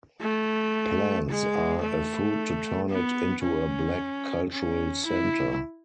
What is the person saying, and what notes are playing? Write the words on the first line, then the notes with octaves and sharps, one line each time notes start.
Plans are afoot to turn it into a black cultural center.
A3
G#3
A3
B3
C#4
C#4
E4